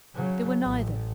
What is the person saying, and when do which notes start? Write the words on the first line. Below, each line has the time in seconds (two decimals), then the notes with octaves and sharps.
They were neither.
0.15 C#3 F#3
0.61 A1 A2